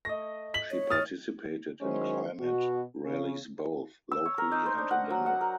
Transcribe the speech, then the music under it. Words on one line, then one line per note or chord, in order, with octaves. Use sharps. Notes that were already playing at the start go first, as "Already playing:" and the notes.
She participated in climate rallies both locally and in Denver.
A3 D#5 A#6
B6 F#7
C#5
D#6 F6 A6
D#3 F#3 G#3 C#4 E4 C5
B2 F#4
C#3 C#4
E6
C#5
A#4
D#4
C5
D4
F#5
F#3
F#5
A#4